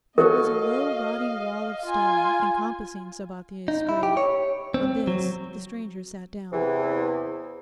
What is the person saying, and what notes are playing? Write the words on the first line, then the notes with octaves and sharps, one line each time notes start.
There was a low rotting wall of stone encompassing Sabathier's grave; on this the stranger sat down.
F#4 A4 A#4 C#5 D#5 F5
F4 G#5
D#4
E4
G4
C#5
C4
F#3
E2 C3 E3